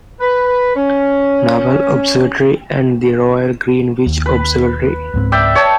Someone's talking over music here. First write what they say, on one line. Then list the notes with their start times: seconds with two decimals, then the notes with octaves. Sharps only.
Naval Observatory and the Royal Greenwich Observatory.
0.20 B4
0.76 C#4
4.06 D#2
4.26 B4
5.14 C#2 G#2 C4
5.32 D5 E5 G5
5.55 C#5 A5